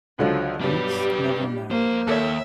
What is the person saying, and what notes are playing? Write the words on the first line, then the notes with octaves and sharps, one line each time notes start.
Yeats never married.
C#2 D3 F3 F#3
G2 B2 F#3 G3 D4 G4 B4
F2 A#3 C5
D#2 A4 C#5 E5